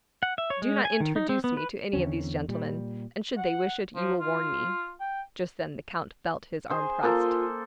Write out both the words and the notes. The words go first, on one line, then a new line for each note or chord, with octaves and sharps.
"Do not introduce me to any of these gentlemen; and should they wish it, you will warn me." Just then the count felt his arm pressed.
F#5
E5
C#5
G#3
G#5
D#3
D#4
C4
B3
B4
E2 D3 C4 C#4
A#2 G3
F#5
F3
F4
G5
G#4 C5 G#5
A#3 F4 A4 C6